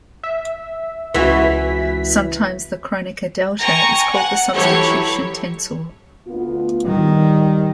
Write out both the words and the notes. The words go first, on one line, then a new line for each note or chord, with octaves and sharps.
Sometimes the Kronecker delta is called the substitution tensor.
E5
C#2 E3 E4 F#4 B6
G5 G#5 A#5 C#6
F#5
E3 F#3 E4 G4 A4 C#5
D2 B3 F4
D#3 G3